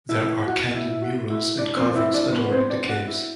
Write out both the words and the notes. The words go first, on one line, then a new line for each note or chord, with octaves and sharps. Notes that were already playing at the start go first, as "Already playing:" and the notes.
There are candid murals and carvings adorning the caves.
E4 E5
F#4 F#5
E4 E5
E5
F#4 F#5
E4 E5
D4 D5
C4 C5
E4 E5
D4 D5
B3 B4
C4 C5
D4 D5
F#4 F#5
E4 E5